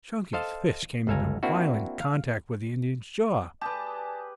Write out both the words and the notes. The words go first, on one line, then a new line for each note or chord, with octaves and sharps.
Chunky's fist came into violent contact with the Indian's jaw.
A4 C5 D#5 F5 A5
G1 C#2 A4 F5 G#5 A#5
A#3 C4 D4 E4 F#4
F5
G4 G#4 B4 D5 G#5 A5 D#6